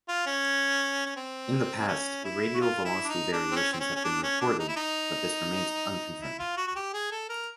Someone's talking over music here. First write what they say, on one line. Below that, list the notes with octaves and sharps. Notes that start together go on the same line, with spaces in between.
In the past, radial velocity variations have been reported, but this remains unconfirmed.
F4
C#4
C#4
C4
C#4
E4
F#4
F4
E4
D4
D#4
D4
C4
C#4
C4
C#4
C#4
D4
C#4
D4
D#4
E4
D#4
E4
F4
F#4
F#4
G4
G#4
A4
A#4